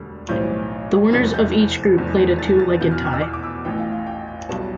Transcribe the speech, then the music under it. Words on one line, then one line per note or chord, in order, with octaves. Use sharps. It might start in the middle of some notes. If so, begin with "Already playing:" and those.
The winners of each group played a two-legged tie.
Already playing: E1 D2 D3 G3
B1 A2 E3 G3 C4 G6
F1 E2 C3 G3 A6
G6
F1 E2 C3
A6
A6
E2 B2 B3 G6
F6
F6
E6
D6
D6
E6
A1 A2 E3 G5
F5
F5
G5
G5
B1 B2 G3 B3 A5